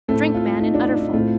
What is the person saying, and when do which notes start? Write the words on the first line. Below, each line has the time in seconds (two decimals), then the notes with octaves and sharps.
Drink, man, an udderful!
0.08 A2 A3 C4 A4
0.35 F4
0.60 D#4
0.74 D4
0.87 D#4
1.01 D#4
1.13 A2 A3 C4 F4